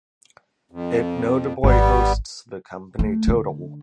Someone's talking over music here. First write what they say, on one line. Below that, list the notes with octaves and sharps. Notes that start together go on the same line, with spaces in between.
It notably hosts the company Total.
F2
G#1 G3 B3
A3
D3